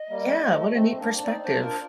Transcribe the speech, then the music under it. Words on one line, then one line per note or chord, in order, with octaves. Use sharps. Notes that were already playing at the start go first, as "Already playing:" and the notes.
yeah, what a neat perspective.
Already playing: D#5
G3 A#3
G3
F3 A3
A3 C4
C4
A#3 D4
D4
C4 D#4 D5
A#3 D4 C5
D4 F4 A#4